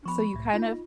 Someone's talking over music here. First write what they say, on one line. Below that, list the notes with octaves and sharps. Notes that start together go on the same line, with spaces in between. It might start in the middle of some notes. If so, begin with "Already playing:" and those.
So you kind of
F3 B3 B5 C#6
C2 A2
D#4 F4